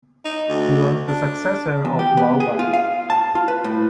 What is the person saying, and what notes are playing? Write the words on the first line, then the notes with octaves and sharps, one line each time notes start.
He was the successor of Vauban.
D#4
D2
D4
E2
G4
B3
G#4
F4
F5
A5
F4
B4
A2